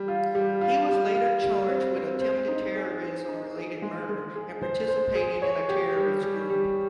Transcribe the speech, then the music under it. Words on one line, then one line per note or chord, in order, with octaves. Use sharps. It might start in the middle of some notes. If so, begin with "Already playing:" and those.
He was later charged with attempted terrorism-related murder and participating in a terrorist group.
Already playing: G3
F4
G3
F4
G3
F4
G3
C4
C4
C5
D#4
G#4
C5
D#4
G#4
G#3
G#3
G#4
C5
C5
G#4
C#5
G4
G3
G3
G3